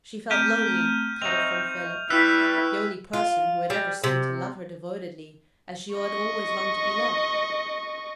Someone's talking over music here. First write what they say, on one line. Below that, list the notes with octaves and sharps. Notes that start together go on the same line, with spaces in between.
She felt lonely, cut off from Philip,--the only person who had ever seemed to love her devotedly, as she had always longed to be loved.
A3 C4 G4 A#5 F6 G6 D#7
C4 D#4 D#5 E5 C#6 F7
G3 E4 B4 G5 C#6 E6 F#6 B6
F4
G3
C3
D#5 C#6